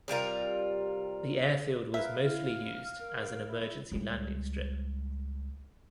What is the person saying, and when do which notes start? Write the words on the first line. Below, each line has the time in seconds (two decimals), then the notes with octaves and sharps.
The airfield was mostly used as an Emergency Landing strip.
0.08 C3 G3 F4 A#4
1.94 A#4 B4 E5 F5
2.24 E4 F6
2.99 A#4
3.49 E4
3.92 C#2 G3